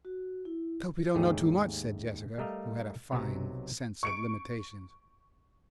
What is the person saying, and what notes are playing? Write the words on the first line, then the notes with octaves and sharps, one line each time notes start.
"Let's hope he don't know too much," said Jessica, who had a fine sense of limitations.
F#4
E4
D#2 G#2 A3 G4 G#4 C#5
G3 A3 A#4 D#5 F5
B1 C3 F#3 C#5 A#5
C#6 C#7 D7